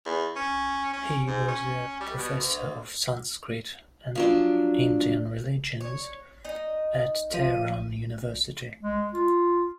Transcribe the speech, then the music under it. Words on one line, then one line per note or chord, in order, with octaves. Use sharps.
He was a Professor of Sanskrit and Indian religions at Tehran University.
E2
C#4
C#4
G#2
C#4
G3
B2
D2
F3 F#3 D4
C#5
D#4 D#5
F3 D#7
G#3
F4